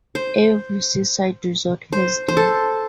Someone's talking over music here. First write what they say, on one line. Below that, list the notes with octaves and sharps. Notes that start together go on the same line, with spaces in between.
Every seaside resort has them.
C5
C5
C5
A4